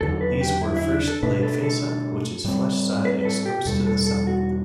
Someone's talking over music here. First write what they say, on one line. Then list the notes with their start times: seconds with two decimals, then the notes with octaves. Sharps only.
These were first laid face-up, which is flesh side exposed to the sun.
0.01 E2 D3 F#3 A4
0.21 B4
0.41 G4
0.61 E4
0.77 E4
0.92 D4
1.08 A4
1.23 B2 A3 D4 B4
1.43 A4
1.63 A4
2.44 A2 G3 C4
3.05 B4
3.25 A4
3.45 G4
3.65 E2 B2 G3 A4
3.87 A4
4.07 A4
4.27 F#4